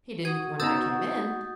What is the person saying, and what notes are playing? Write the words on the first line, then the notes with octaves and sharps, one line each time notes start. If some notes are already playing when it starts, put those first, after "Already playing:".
"He didn't when I came in."
F#4 D#6 G#6
B3 D#4 A#5 D#6 E6 G6 A6